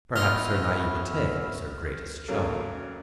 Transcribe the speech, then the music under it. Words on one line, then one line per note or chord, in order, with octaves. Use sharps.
Perhaps her naivete was her greatest charm.
B3 C#4 E4 F4 D#5 F6
C#3 F#3 A3 A#3